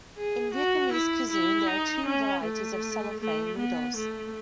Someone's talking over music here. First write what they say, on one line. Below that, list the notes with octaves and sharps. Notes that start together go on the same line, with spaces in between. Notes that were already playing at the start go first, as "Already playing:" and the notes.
In Vietnamese cuisine, there are two varieties of cellophane noodles.
G#4
F#4
E4
E4
D#4
C#4
A3
A3
B3
A3